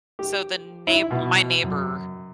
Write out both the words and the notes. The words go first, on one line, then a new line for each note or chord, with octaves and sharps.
so, the neigh my neighbor
G4
E4
B2
F#2